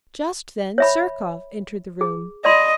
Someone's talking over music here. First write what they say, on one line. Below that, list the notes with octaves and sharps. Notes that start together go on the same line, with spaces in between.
Just then Zherkov entered the room.
C#5 E5 B5
G#4
D5 D#5 B5 C6